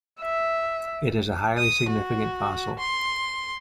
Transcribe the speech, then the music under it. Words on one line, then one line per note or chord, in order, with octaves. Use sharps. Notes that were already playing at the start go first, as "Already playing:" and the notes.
It is a highly significant fossil.
E5
D#6
F#4
C6